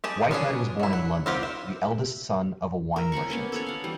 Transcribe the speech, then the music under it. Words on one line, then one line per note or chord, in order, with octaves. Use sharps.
Whitehead was born in London, the eldest son of a wine merchant.
G4 G#4 A5
B3 C#4 D4 G#4
F#3 E4
F#5
C4 F4 G4 F#5
E5
A#4 E5
C#4 F#5 B5 C#6
A#3 B3 C#4
A4 B4 C#5
F5 F#5
E3 G3